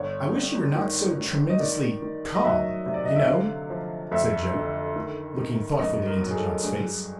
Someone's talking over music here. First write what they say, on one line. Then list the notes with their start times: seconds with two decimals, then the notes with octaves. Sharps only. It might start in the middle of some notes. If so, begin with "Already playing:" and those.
"I wish you were not so tremendously calm, you know," said Joe, looking thoughtfully into John's face.
Already playing: G1 C#5
0.34 G2
0.75 D#3
1.18 D#3
1.50 D#5
1.60 D#3 D5
2.02 D#3
2.35 D#5
2.44 F#3 E5
2.86 C3
2.94 D5
3.06 D#5
3.16 E5
3.27 D3 F5
3.70 F3
4.11 F2 E5
4.54 D3
4.96 D#3
5.37 D#3
5.79 F#2 D#5
6.07 A#4
6.21 F#3
6.31 G#4
6.35 A4
6.63 G2 G#4